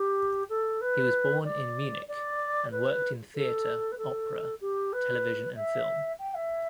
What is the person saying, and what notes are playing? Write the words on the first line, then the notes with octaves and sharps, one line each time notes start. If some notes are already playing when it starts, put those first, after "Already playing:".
He was born in Munich and worked in theatre, opera, television and film.
Already playing: G4
A4
B4
D5
D5
B4
A4
B4
A4
G4
B4
E5
G5
E5